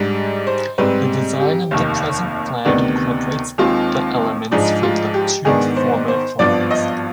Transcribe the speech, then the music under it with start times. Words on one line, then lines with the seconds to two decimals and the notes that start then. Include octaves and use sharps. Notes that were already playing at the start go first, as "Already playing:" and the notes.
The design of the present flag incorporates the elements from the two former flags.
Already playing: G#2 G3 D4
0.47 C5
0.78 G#2 G3 C4 B4
1.40 G4
1.71 F1 D#2 D#3
2.65 D2 C3 D#3 B3 D4
3.58 D#2 D#3 G#3 C4 F4
4.51 G#2 F3 G#3 D4 D#4
4.83 F4
5.14 G4
5.45 G#2 D#3 B3 D4 G#4
5.77 C5
6.08 C5
6.39 G#1 G2 F3 B3 D4 D5
6.71 D#5